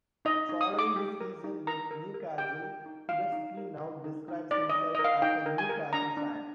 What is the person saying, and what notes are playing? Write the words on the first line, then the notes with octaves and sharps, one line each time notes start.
Following his season with Newcastle, Sibierski now describes himself as a Newcastle fan.
D#4 D#5
D#4
D#6
D#4
D6
G4
A#4
D#4
A#4 A#5
A#4
A#4
G4 G5
A#4
D#4
D#4 F5
D#4
A#4
A#4
D#4
D#4
D#4 D5
D#5
D#4
A#4 D#5
F5
D#4 G5
A#4
G#5
A#4
D4 A#5
D4